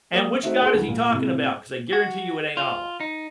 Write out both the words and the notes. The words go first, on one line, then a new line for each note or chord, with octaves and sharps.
and which God is he talking about, 'cause I guarantee you it ain't Allah.
A#3 D5 D#6
A3 D#4 F#4 C5 E5
G#4 A4 C6
D2 E3
A#2
A2 C3
F#4
F4
D#4